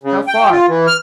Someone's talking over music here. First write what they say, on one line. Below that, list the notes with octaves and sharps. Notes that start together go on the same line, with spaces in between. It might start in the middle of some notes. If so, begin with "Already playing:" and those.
"How far?"
C#3
G5
F4
E3
F6